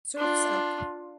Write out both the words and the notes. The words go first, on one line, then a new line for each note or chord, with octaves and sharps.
Serfs Up!
D4 F4